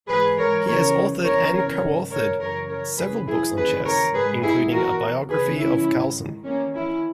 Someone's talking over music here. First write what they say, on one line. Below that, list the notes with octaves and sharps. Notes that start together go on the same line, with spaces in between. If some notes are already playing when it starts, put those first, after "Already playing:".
He has authored and co-authored several books on chess, including a biography of Carlsen.
G#2 E3 G#4 B4
A#4 C#5
E2 C#3 E3 A#4 C#5
E2 C#3 E3 A#4 C#5
A#4 C#5
G#2 D#3
A#4 C#5
F#2 C#3 E3 A#4 C#5
A#4 C#5
F#2 C#3 E3 G#4 B4
E4 G#4
D#2 C#3 E3 G#4 B4
A#4 C#5
G#2 D#3 G#4 B4
E4 G#4
E2 B2 F#4 A#4
E2 C#3 E3 G#4 B4
C#4 E4
G#2 D#3
E2 D#3 A#3 C#4
C#4 E4